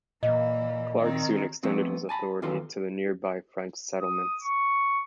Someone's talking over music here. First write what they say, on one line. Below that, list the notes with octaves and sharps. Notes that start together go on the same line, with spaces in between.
Clark soon extended his authority to the nearby French settlements.
A#2 E3 A#3 D#5
D#3 C4
F3 A3 B3 C4 F#4
G#5 A5 B5
E2 D#3 F4 A4 B4 C6
D#6
C#6